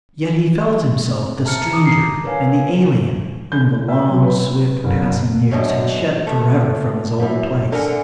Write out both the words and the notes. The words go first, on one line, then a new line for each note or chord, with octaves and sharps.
Yet he felt himself the stranger and the alien, whom the long, swift-passing years had shut forever from his old place.
C4
E5 A5 A#5 F6 C#7
A#5 D6 D#6
C7
A#4 B4 C#5 F5 G#5
G6
E5
F#3
B4
F#1
F#2 B2 D3 F3 F#3
A3
F#2 E3
D3 A#4 E5 F#5 G#5